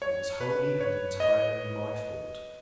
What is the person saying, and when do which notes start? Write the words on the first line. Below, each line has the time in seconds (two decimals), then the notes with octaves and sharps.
It was wholly and entirely my fault.'
0.02 C#5
0.41 B4
0.80 C#5
1.20 D#5